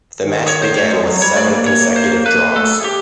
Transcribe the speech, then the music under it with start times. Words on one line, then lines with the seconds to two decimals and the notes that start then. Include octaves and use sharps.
The match began with seven consecutive draws.
0.18 D#3
0.48 C#5
0.62 C5
0.77 A3 C#5
0.92 G#3
1.06 F#3
1.22 G3 C#5
1.37 A3 D5
1.52 A#3
1.66 C#5
1.96 C5
2.26 A#3 B4
2.40 A#3
2.55 A3 A4
2.80 G#4
2.84 G4